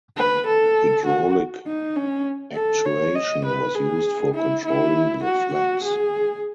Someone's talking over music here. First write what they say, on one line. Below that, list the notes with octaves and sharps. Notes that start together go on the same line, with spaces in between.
Hydraulic actuation was used for controlling the flaps.
B4
A4
F#4
D#4
C#4
A4
C#5
D#5
B4
G#4
E4
E4
F#4
F#4
G#4